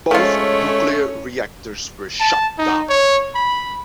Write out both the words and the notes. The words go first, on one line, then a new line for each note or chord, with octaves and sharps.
Both nuclear reactors were shut down.
F3 G#3 A3 C#4 F4 C#5
A5
D#4
C#5
B5